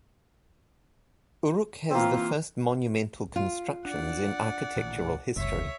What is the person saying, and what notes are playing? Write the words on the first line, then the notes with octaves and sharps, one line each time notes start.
Uruk has the first monumental constructions in architectural history.
E3 A#3 C4 F4
F4
D4 D5 F#5
A1 A#2 D#3
F#1 C#2 C3 C#5 E5